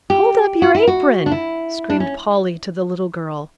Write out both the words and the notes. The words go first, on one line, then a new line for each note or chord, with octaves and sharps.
"Hold up your apron," screamed Polly to the little girl.
G4
F#4
E4
F#4
D4
E4
D4
C#4